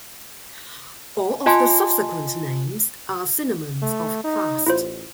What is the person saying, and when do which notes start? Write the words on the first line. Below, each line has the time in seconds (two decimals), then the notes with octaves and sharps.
All of the subsequent names are synonyms of "fast".
1.46 F4 D#5 G#5 A5 C6
3.82 A3
4.24 D#4
4.66 A1 E4 F4 C5